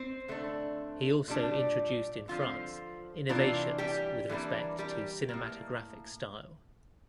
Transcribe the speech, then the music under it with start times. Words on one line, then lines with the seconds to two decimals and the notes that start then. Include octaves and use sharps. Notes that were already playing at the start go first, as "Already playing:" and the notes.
He also introduced in France innovations with respect to cinematographic style.
Already playing: C4 C5
0.28 D3 A3 D4
1.28 A#2 G3 D4
2.28 D3 F3 C4 F4
3.29 C3 E3 A#3 D4 F4
3.78 G3 G4
4.29 E3 G3 A#3 D4
4.79 G3 G4
5.29 E3 A#3
5.33 A2